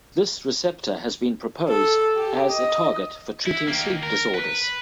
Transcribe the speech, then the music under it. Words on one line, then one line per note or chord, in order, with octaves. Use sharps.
This receptor has been proposed as a target for treating sleep disorders.
A4
G4
D#5
E4
D#3 A#3
A#4
B4